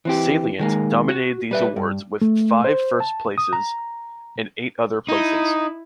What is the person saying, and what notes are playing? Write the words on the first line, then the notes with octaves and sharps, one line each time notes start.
"Salient" dominated these awards with five first places and eight other placings.
E3 C4 G4
D#3 G#3 A#3
F#4
G3 B4 E5
G2
A3
C5
A5
D#6
A#5
D#4 E4